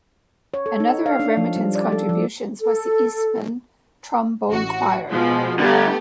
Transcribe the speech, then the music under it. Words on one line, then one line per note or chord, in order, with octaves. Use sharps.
Another of Remington's contributions was the Eastman Trombone Choir.
C#5
A4
D#4
F5
D4
F3
G3
D5
A4
F3
A4
A1 F#4
B2 F3 G#3
D3 G3 A3 B3 G4